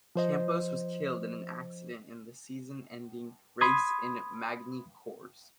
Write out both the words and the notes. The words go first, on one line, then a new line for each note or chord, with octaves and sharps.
Campos was killed in an accident at the season-ending race in Magny Cours.
F3 C5 D#5
B5 C6 D#6 G#6